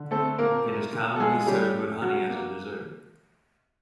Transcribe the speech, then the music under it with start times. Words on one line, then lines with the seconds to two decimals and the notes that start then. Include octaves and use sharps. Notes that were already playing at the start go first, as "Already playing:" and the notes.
It is commonly served with honey as a dessert.
Already playing: D3
0.11 A3 C4 A4
0.38 A#2 A#3 A#4
0.66 A3
0.93 A#2
1.16 A4
1.20 A#2 G#3 G#4
1.41 G#4
1.47 G3 C#4 G4
1.74 A3
2.02 C#3 F#3 F#4
2.29 A#3